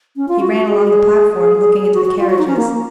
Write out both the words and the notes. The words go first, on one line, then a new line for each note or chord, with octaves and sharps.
He ran along the platform, looking into the carriages.
C#4
F4
F#4
F#4
G#4
G#4
F#4
F#4
F4
F#4
D#4
C#4
A#3